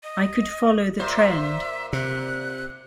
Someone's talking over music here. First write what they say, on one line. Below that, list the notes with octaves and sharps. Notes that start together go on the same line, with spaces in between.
I could follow the trend.
D#5
A#2 C5 E5
C3 F#6